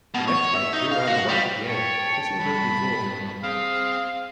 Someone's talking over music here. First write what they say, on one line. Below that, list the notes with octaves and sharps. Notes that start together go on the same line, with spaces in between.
The next night we were on the watch again, concealed as before.
B2
C#5
E5
D#4
F5
F#4
G3
C#5 G5 A5
G2 B5
C4 G#4 F5